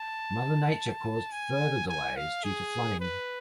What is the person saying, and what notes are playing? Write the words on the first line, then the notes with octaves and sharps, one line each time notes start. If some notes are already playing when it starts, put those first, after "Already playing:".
Mother Nature caused further delays due to flooding.
Already playing: A5
G#5
G#5
F5
G#4
B4